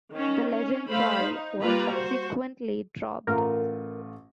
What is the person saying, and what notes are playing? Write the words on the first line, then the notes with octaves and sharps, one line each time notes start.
The "Legend" trial was subsequently dropped.
D#3 C#4
C#4
A3 C5 F5 B5
D#4
G3 A#3 F4 B4 A#5
F#4 C5
A1 A3 F4 A#4